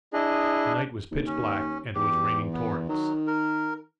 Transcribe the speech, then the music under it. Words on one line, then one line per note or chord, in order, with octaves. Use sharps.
The night was pitch black and it was raining torrents.
D4 E4 G#4 D#5
D#2
C#4
E2 G4
B3
D#3 F#3
A#4